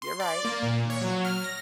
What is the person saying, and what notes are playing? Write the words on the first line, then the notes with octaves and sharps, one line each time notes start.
You're right. Mhm.
C6
D5
A#3
A#2
C#5
F#3
F6
A#6